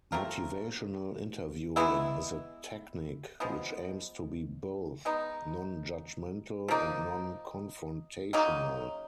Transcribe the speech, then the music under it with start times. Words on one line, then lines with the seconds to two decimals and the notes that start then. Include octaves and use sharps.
Motivational interviewing is a technique which aims to be both non-judgmental and non-confrontational.
0.12 A3 C4 F4 A#4
1.76 E3 G#3 B3 E4
3.40 F3 G#3 B3
5.05 G#3 B3 D#4
6.68 F3 A#3 D#4
8.33 C#3 F#3 A#3 D#4